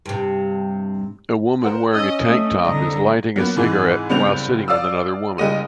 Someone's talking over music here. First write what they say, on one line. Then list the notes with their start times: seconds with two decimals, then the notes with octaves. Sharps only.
A woman wearing a tank top is lighting a cigarette while sitting with another woman.
0.06 G2 C3
1.64 A#4 C5 F#5
1.94 C#4 D#5 D#6 E6
2.25 A3 D#5 D#7
2.64 C2 D3 D5 A#5
3.36 F#3 A#3 B3
3.57 G#2 C3 E3
4.09 F#1 G3 B3 C4 G6 F7
4.68 D5 F5 D#6 E6
5.38 F#1 G3 G#3 D#5 D#7